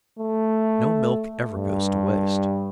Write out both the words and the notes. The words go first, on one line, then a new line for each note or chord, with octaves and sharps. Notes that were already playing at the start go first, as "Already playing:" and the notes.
No milk ever goes to waste.
A3
G2